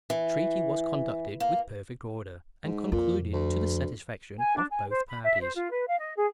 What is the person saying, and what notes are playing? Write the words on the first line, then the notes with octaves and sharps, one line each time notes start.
The treaty was conducted with perfect order, and concluded to the satisfaction of both parties.
E3
A#3
G#2
F2 A#2
D2
G#5
D4
G#5
C5
B5
E5
C5
F4
B4
F5
D#5
G#4